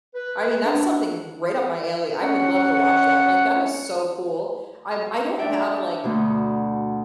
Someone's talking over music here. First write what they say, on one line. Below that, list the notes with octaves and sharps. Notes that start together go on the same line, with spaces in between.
I mean, that's something right up my alley. I would love to watch that. Like, that is so cool. I'm I don't have, like
B4
D4
C#4 F#5
D4 D5 E5 G5
D2 B2